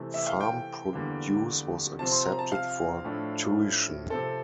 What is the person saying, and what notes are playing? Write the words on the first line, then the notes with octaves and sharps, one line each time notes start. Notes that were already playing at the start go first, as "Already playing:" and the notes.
Farm produce was accepted for tuition.
Already playing: C3 E3 A3 C4
E5
F5
G5
E2 D3 G3 A#3
C3 F3 C4 A5
C6
A#5
A5
F5
A2 F3 A3 D4
C3 F3 C4 A4